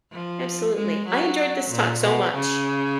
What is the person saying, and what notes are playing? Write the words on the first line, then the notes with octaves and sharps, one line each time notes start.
Absolutely. I enjoyed this talk so much.
F3
G#3
F#3
A#2
B2
C#3